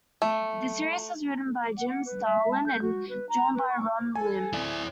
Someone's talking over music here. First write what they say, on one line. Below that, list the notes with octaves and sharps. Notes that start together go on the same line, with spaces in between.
The series was written by Jim Starlin, and drawn by Ron Lim.
A3
F#5
F#5
B4
E5
A5
G6
F#4
B4
A#5
B4
C#6
A4 G#5
C4 E4 D5